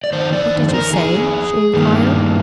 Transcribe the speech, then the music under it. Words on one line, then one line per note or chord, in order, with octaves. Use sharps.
"What did you say?" she inquired.
D5
F2 C3 D#3 C5
D5
C5
A#4
G#4
G2 D#3 A#3